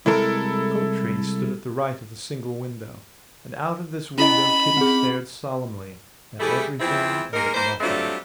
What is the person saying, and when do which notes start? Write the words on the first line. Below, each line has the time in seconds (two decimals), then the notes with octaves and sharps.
The coat tree stood at the right of the single window, and out of this window Kitty stared solemnly, at everything and at nothing.
0.06 C2 G#3 E4 A4 A#4
4.18 C#4 E4 D#5 B5
4.77 C4 G#4
6.39 E3 G3 A3 E4 G#4 A4
6.80 E2 F3 C4 E4
7.33 G#3 A#3 D#4 A#4
7.54 E3 A#3 B4 C5
7.80 F#3 G3 A3 C4 D4 F4